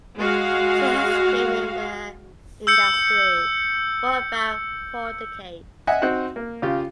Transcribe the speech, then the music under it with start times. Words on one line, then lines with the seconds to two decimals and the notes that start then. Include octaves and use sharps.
She has been in the industry for about four decades.
0.17 G#3 F#4 F5
2.67 E6 G6 C#7
5.87 D#5 E5 F#5 G#5
6.02 C4 D#4 F#4 F#5 F#6
6.36 A#3
6.62 C#3 F4 G4